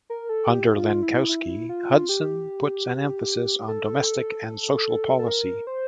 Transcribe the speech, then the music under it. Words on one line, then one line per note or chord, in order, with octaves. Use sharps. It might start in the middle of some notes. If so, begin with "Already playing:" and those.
Under Lenkowsky, Hudson put an emphasis on domestic and social policy.
A#4
A4
G4
F4
E4
E4
F4
G4
A4
A4
A#4
C5